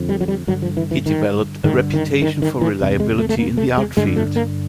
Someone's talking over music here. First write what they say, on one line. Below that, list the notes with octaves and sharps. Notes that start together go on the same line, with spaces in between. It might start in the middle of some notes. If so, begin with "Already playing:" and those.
He developed a reputation for reliability in the art field.
Already playing: F2 D3
G3
F#3
G3
G2 D3 F#3
F3
E3
E3
D#3
G2 D3 D#3
D#3
D#3
D#3
E3
E2 C3
G#3
A3
A3
A#3
A3
G#3
G2 D3 G#3
A3
A#3